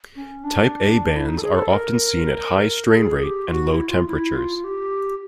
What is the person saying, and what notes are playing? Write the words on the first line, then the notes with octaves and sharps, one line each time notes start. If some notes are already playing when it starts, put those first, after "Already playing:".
Type A bands are often seen at high strain rate and low temperatures.
C#4
D4
E4
D#4
A4
G#4
A4
A#4
A4
G#4
G4
F4
F#4
E4
F4
E4
F4
G4